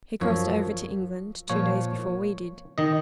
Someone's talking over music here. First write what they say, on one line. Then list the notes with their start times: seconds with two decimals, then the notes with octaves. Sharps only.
He crossed over to England two days before we did.
0.21 F#2 F3 C#5
1.50 A#2 F3 C#5
2.78 D#3 D#5